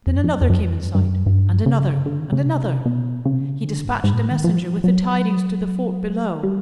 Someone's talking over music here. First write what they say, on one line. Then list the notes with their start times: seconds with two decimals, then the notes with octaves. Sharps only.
Then another came in sight, and another, and another. He despatched a messenger with the tidings to the fort below.
0.07 F2
0.15 F#2
0.24 F2
0.33 F#2
0.42 F2
0.50 F#2
0.58 F2
0.87 F#2
0.95 G2
1.01 F#2
1.26 G2
1.66 C#3
2.06 D3
2.19 D#3
2.27 C3
2.32 C#3
2.45 C3
2.85 B2
3.25 C#3
3.33 C3
3.40 C#3
3.65 D3
3.85 G#2
4.04 G#2
4.13 A#2
4.18 A2
4.31 D#3
4.44 F3
4.84 F#3
6.43 G3